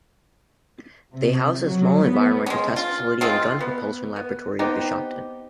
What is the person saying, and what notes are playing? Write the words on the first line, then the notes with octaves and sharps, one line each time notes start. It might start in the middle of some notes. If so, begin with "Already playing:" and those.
They house a small Environmental Test Facility and Gun Propulsion laboratory at Bishopton.
C3
F#3
B3
G#3 C#4
F4
G#3 C4 F4
B3
B3
B3 C4 D#4 G4